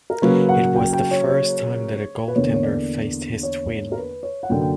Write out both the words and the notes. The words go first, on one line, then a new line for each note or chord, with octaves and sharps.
It was the first time that a goaltender faced his twin.
A#4
C#3 F#3 A#3 C#4 B4
F#5
G5
G5
C#5
C#5
B4
E2 D3 A#3 C#5
C#5
D5
C#5
A#4
B4
C#5
F#5
F#2 D3 A#3 G5
G5